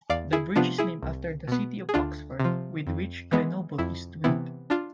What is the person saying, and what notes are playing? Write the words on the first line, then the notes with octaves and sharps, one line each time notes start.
The bridge is named after the city of Oxford, with which Grenoble is twinned.
E2 D5 F5
E4 G#4
C3 F3 B3 D4 F4
E4 G#4
C2
B2 B3
G#4
D2 D4 F4
C3 F3
F2
E3 G#3 B3
F2 E4
C3 E3 B3 E4
D4 F4